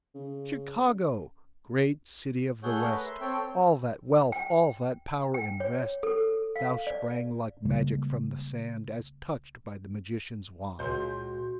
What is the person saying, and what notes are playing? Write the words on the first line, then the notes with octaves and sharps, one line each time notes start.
Chicago! great city of the West! All that wealth, all that power invest; Thou sprang like magic from the sand, As touched by the magician's wand.
C#3
A3 G#4 A4 C#5 F#5 G6
A#4 B4
E5 C6
C4 A4 C#5 G5
G5
G5
C#5
A4
F5
D5
C#3 G3 G#3 A#3
C#2 A#2 F#4 C6 G6